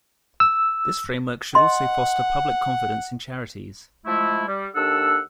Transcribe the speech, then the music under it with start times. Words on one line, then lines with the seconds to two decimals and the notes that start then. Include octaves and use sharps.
This framework should also foster public confidence in charities.
0.40 E6
1.55 D#5 F#5 C6
4.05 F3 G#3 A3 E4
4.47 G3
4.75 D#2 D4 A4 F#5 E6